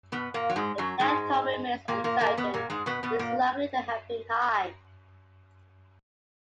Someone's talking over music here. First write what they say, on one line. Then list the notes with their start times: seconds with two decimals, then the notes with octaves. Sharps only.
The death toll remains uncertain, but is likely to have been high.
0.12 B2 B3
0.34 A#2 A#3
0.50 F#3
0.56 G#2 G#3
0.78 F#2 F#3
1.00 G#2 G#3
1.88 A#2 A#3
2.04 A#2 A#3
2.20 A#2 A#3
2.37 B2 B3
2.54 A#2 A#3
2.70 G#2 G#3
2.86 B2 B3
3.03 B2 B3
3.19 A#2 A#3